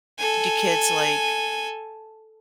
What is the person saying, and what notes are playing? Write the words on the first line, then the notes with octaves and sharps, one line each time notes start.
do kids, like,
A4 G#5